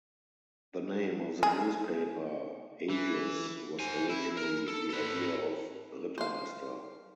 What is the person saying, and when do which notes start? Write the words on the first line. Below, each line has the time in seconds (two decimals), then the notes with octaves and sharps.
The name of the newspaper "Agis" was originally the idea of Rittmeister.
1.43 G#4
2.90 E3
3.80 C5 G#5
4.10 E4
4.37 A#4
4.68 A4
4.90 A4 B4
6.18 C5 F5